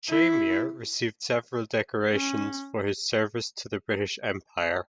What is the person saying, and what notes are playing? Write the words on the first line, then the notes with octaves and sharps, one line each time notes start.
Chamier received several decorations for his service to the British Empire.
E4
C#4